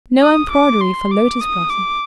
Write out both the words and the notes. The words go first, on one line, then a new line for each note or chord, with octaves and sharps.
No embroidery for Lotus Blossom!
D#6
D6
C6
D6
D#6
D6